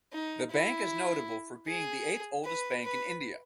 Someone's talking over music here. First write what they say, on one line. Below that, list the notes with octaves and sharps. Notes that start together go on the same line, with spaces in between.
The bank is notable for being the eighth oldest bank in India.
D#4
E4
G#4
B4
B4